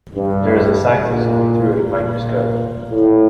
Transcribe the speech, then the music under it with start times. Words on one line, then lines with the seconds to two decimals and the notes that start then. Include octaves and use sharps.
There is a scientist looking through a microscope.
0.15 G2
1.07 A#2
1.99 A#2
2.90 A2